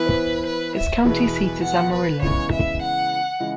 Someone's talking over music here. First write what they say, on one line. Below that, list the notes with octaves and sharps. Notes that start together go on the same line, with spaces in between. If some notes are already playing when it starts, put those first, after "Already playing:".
Its county seat is Amarillo.
Already playing: E3 B3 E4 B4
B4
E5
E2 B2 B3 E4 G#4 B4
F#5
B4
C#3 E3 G#3 B3 C#5
E5
F#5
C#3 E3 G#3